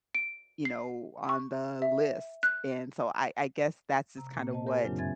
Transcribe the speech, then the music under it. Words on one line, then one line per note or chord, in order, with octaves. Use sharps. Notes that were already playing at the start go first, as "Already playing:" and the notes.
you know, on the list," and so, I I guess that's just kinda what
D7
C7
C#6
E5
F#6
C3 A#5
A#2 A#3
C5 D#5 A5
G4 A#4 C5 G#5
F#2 C#3 F#3 C4 D4 F4
G2 C4 E5 G#5 G#6 A6